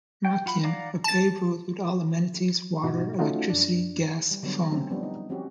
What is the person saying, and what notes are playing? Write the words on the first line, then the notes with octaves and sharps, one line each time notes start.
'Machian a paved road with all amenities, water, electricity, gas, phone.
G5
F4 F#5 B5
D5 F5 F#5 A#5 D6
A5 A6
G#2 B2 D#4 F#4
A3 C#4 D#4 F4 F#4
F#2 D4
G3
D3 F#3 G3 B3
F#3 A3 C4 C#4
F3 G3 B3 D4
D#4
F3 C4 C#4 F#4 G4